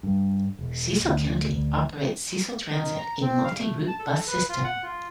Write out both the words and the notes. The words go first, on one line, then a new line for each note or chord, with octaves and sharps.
Cecil County operates Cecil Transit, a multi-route bus system.
G2
E1
D2
D2
D#3
A#5
C4
F5
A3
A5
A4
B4
F4
F#5
F4